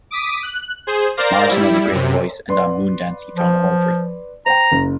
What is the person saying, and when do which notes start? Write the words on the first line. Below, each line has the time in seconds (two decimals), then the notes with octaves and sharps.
Morrison has a great voice and on "Moondance" he found a home for it.
0.11 D6 D#6 B6 D#7
0.43 F#6
0.87 G#4 C5
1.17 A#4 C5 D5 F5 A#6
1.49 G3 E4
1.91 F#2 C3
2.49 B4 D5 C6
3.35 F3
4.46 C5 G5 A#5
4.72 F#1 C#3